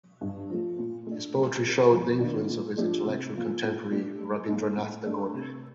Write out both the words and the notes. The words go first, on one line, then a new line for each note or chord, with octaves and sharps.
His poetry showed the influence of his intellectual contemporary Rabindranath Tagore.
G2
F3 A3
A#2
A3 D4
G3
C4 G4 A#4
F2
D#3 A#3 D4
A#2
F3 A3 D4 G4
C3
F3 A#3
A#2
A3 D4 G4
G3
A#3 D#4
A2
A3 D4 A4
C3